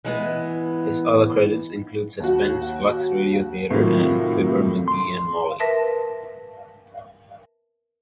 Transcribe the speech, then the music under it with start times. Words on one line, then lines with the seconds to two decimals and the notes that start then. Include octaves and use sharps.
His other credits include "Suspense", "Lux Radio Theater", and "Fibber McGee and Molly".
0.05 E3 G#3 B3
2.20 D#2 F#4
3.71 A2 C3 D#3 F#3 A#3 F4
4.88 C6
5.60 A#4 B4 E5 A5